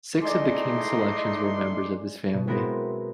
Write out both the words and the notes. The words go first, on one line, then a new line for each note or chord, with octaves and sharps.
Six of the King's selections were members of his family.
E3 G#3 A3 D#4 D5 D#5 C6 D6
B2
G#3 B3 C4 E4 F#4 A#4